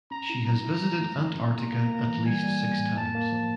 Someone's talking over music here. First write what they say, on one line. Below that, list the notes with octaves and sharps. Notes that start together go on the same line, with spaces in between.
She has visited Antarctica at least six times.
C#4 A#5
E4
F#3 A#5
E4
F#3
A3
C#4 A#5
E4
A#3
A#3
A#3
E3
G3 G#5
G3
G3
A2
A#3 A5
A#3
F3